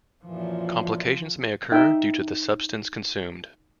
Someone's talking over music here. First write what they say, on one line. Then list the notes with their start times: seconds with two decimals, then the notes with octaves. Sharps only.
Complications may occur due to the substance consumed.
0.24 F#2 A#2 E3 F3
1.72 D#4 E5 G5